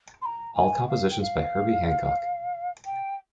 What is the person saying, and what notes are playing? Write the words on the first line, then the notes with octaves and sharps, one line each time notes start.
All compositions by Herbie Hancock.
C6
A#5
G#5
F5
G5
F5
G5